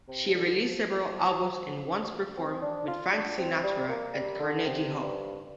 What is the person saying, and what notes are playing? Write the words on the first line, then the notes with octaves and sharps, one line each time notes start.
She released several albums and once performed with Frank Sinatra at Carnegie Hall.
C3
F3
D3
F3
C4
D4
F4
D4
C4
G3
A#3
G3
D3
C3
G2